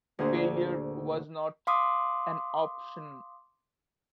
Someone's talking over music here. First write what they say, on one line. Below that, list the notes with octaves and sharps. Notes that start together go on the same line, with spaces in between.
Failure was not an option.
D2 A#2 D4 G#4 C5
F5 C6 D6 D#6